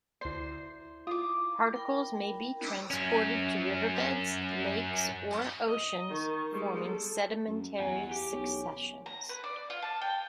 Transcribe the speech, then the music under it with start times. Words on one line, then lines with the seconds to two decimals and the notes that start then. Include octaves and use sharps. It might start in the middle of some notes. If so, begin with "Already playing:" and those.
Particles may be transported to riverbeds, lakes, or oceans, forming sedimentary successions.
0.21 D2 E4 C5 D5 C7
1.07 F4 D6 D#6
1.74 A#4 G5 B5
2.91 F#2 C#4
5.67 D#5
6.09 D#3 C#6
6.51 G3 G#3
6.88 A4
7.47 F#2
7.80 E2 F#5 G#5
8.11 G4
8.32 B1 C#4
9.06 A#5
9.29 B4
9.44 D5
9.70 F4
9.82 A5
10.01 G5